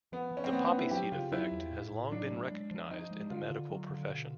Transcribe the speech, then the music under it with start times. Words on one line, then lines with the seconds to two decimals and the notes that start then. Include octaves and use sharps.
The poppy seed effect has long been recognised in the medical profession.
0.12 F3 B3
0.32 F3
0.37 C#4
0.44 C4
0.52 A#3 B3
0.65 B3
0.71 D4
0.78 E4
0.91 F#3 G4
1.12 C#3 F4
1.32 F#3 E4
1.52 E2
1.71 A2
1.91 A2
2.11 F#3 D4
2.31 A3
2.51 G#3
2.71 F3
2.91 F3 D#4
3.11 G#3
3.30 D3 F4
3.50 D3
3.70 F#3
3.90 D3
4.10 B2